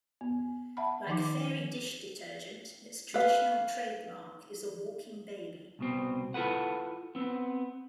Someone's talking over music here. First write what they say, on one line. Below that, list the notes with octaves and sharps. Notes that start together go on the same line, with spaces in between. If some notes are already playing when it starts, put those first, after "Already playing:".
Like Fairy dish detergent, its traditional trademark is a walking baby.
B3
E5 F#5 A5 B5
D#3 F3 D#4 D6
B4 F5
C2 B2 C4
E4 F4 G4 A4 B4 F#5
B3 C4